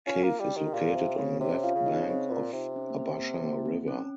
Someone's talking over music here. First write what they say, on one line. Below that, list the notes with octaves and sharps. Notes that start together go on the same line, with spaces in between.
Cave is located on left bank of Abasha river.
C#4 F4 F5
A#3
G3 G4 G5
D#3
A#2 F4 F5
C3
C#3 C4 C5
C3 C#4 C#5
F4 F5
C#3
D#4 D#5
C#3 C4 C5
A#2 F4
C3 D#4
C#4
A#3
C4
C4
A#3
C4
C#4